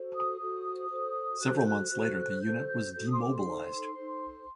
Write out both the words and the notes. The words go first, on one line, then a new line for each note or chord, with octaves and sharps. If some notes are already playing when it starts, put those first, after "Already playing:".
Several months later the unit was demobilized.
Already playing: F#4 A4 C5
D#6
F#4 A4 C5
F#4 A4 C5
F#4 A4 C5 F#6
G6
F#6
F#4 A4 C5
F#4 A4 C5 G6
G6
F#4 A4 C5 G6
D#6
C6
D6
C6
D#4 A4 C5
D#4 A4 C5